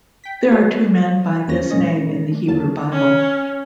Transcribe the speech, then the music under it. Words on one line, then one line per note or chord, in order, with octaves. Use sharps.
There are two men by this name in the Hebrew Bible.
G5 B6
F#4 A4 B4 C#5
E2 A#3 C#4 A#6
C#2 A#2 G#3 C#4 D#5 A#6
A3 D4
E2 F#3 A#3 A5
C#4